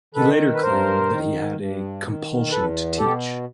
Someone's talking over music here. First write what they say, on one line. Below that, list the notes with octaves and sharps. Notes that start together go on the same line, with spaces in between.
He later claimed that he had a "compulsion to teach".
D#3 A4 B4
B4
G2 A#4 C5
D#3
G2
D#3
E2 A4 B4
B2 G4 A4